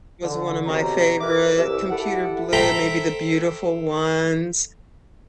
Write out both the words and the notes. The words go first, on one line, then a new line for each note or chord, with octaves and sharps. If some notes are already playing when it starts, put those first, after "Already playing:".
was one of my favorite. Computer Blue, maybe The Beautiful Ones,
D3
B2 F#3 C4 G4 A#5
F2 E3 E4 A#4 B4 D6
C2 E6
E4 G4 A4 E5 F#5
A4 C5 E5 G5 A#5 B5